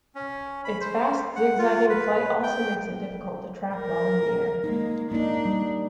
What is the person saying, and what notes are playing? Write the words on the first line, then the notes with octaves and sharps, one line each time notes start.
Its fast, zig-zagging flight also makes it difficult to track while in the air.
C#4
B5
C5
F#5
F4
B4
G5
A#4
G#3 A#3 D#4
A#3 D4 D#4
G3